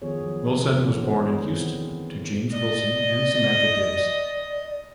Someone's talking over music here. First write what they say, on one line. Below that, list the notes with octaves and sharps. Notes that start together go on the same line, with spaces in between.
Wilson was born in Houston to James Wilson and Samantha Gibbs.
D#3 F3 B3 G#4 C#5
F3 F#3
D3 E3 F#3 A3
B3 D4 G#4 C5
D#3 E3 C4
D5 D#5